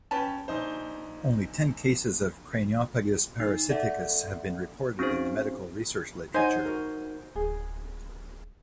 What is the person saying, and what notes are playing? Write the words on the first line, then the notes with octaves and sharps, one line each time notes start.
Only ten cases of craniopagus parasiticus have been reported in the medical research literature.
C#4 B4 G5 A5
A#1 D#4 C5
D#4
A4 D5 E5 F#5
C4 C#4 D#4 F#4 G#4 C5
D#4 C5 C#5 D#5 F#5 G#5
F#4 A#4
D1 G#4